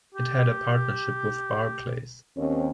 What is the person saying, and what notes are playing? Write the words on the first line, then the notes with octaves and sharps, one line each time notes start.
It had a partnership with Barclays.
G4
D#2 C4 C#4